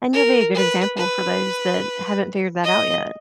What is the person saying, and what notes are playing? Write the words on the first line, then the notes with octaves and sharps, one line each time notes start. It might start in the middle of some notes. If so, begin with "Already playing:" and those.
And you'll be a good example for those that haven't figured that out yet.
A#4
B4
B4
D#5